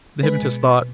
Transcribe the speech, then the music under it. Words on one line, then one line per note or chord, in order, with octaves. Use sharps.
The hypnotist thought.
G#3 B4
B2
B2